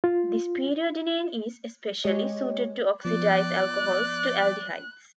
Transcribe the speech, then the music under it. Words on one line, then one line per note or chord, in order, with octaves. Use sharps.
This periodinane is especially suited to oxidize alcohols to aldehydes.
F4
G#3 G4 C#5 D#5
F3 B3 D5 F#6